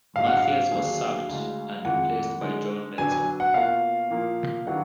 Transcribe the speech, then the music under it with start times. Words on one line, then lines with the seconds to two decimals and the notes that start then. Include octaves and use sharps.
Mathias was sacked, and replaced by John Benson.
0.16 G#2 F#3 D4 F5
0.26 F#5
0.37 F5
0.72 D#2 D3 F#3 D4 G#4
1.29 D2 D3 G#3
1.85 F2 D#3 G#3 F#5
2.41 D3 G#3 D#4
2.98 D3 F#3 B3 D4 G#5
3.12 G#5
3.40 F#5
3.54 B2 A#3 F4 F5
4.10 A#2 F3 A#3
4.66 D#3 F#3 B3 D4 F#4 F#5